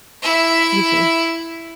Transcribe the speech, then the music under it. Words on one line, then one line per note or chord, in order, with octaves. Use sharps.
You too.
E4 E5